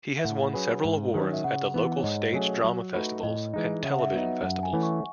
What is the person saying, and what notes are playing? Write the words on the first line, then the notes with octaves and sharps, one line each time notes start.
He has won several awards at the local stage drama festivals and television festivals.
E5
A2 F#5
F#3 C#4 G#4 B4
G#2
D#3 F#3 C#4
E5
C#3 F#5
E3 B3
C#5
G#2 D#5
F#3 A3 C#4 G#4
F#3
A3 D#4 F#4 B4
A2 D#5
E3 G#3 D#4
C#3 E5
F#5
E5
F#3 B3 D#4
F#2 F#5
G#5
E3 A3 C#4 E4
C#6